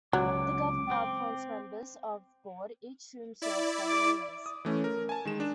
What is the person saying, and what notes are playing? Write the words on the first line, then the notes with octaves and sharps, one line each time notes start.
The governor appoints members of the Board, each of whom serve seven years.
C#2 F#3 D6
C4
E4 D5
D6
D#6
E3 A3 C#4
A#4
G#5 A5
D#3 G#3 E7
D4